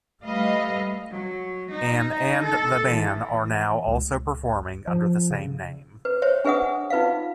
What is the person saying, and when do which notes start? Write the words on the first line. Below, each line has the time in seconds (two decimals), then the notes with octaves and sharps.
An and the band are now also performing under the same name.
0.24 G3 A3 B4 D#5 F5
1.11 F#3
1.73 D#4
2.44 A4
2.89 E3
3.88 C#2
4.88 F3
5.31 C#3
6.05 B4
6.22 C5 C#5 E5
6.45 D4 G#4 B4 E5 F#5 D#6
6.90 D#4 F4 B4 E5 F5